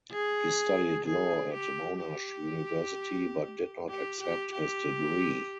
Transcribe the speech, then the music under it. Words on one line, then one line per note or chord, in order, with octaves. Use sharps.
He studied law at Monash University but did not accept his degree.
G#4
G#4
G4
G4
G4
G4
G4